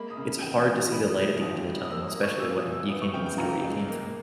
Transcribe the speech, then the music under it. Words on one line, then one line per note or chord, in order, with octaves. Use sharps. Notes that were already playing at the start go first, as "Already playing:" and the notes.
it's hard to see the light at the end of the tunnel, especially when you can't even see where you came from.
Already playing: G#3 A#3 B5
D#6
C#3
E2 G5
G5
E3
G#5
A#3 B5
D#6
D#3
D#6
D#2 D#6
G3
D#6
A#3 E6
D#6
A#3
C#6
A#2 E6
D#6
A#2
E6
B3 D#6
C#6
C#3 G5
G5
C#2 A#5
G#3
A#3